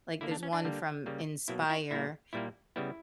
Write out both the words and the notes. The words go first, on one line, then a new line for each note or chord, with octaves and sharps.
like, there's one from Inspire
D3 A#3 E4
D4
C#4
D4
D3 G3 A#3
C#3 G3 A#3
B2 F#3 A#3 E4
E4
A#2 G3 A#3 E4
A#2 G3 A#3 E4
C#3 G3 B3 E4